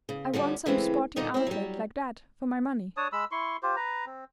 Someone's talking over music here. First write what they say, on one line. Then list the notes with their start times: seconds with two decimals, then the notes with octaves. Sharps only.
I want some sporting outlet like that for my money.'
0.09 C#3
0.34 D3 F3 G3 C#4
0.66 C#3 E3 G#3 A3 C4
1.16 A#2 D3 G3 D#4 D#5
1.34 C4 E4
1.47 F#3 G3
2.97 D4 C#5 A5 D#6
3.12 G#3 B5 E6
3.31 E4 C6 C#6
3.63 F4 G4 C5
3.76 B4 A#5
4.06 C4